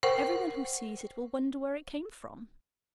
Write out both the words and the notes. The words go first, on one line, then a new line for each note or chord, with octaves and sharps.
"Every one who sees it will wonder where it came from."
A#4 C5 F#5 G5 C#6